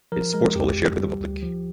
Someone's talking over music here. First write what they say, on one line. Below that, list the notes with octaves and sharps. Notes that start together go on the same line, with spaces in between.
Its sports hall is shared with the public.
F3 A#4
G#3 A#4
F2 G4
F2
G3
D2
F3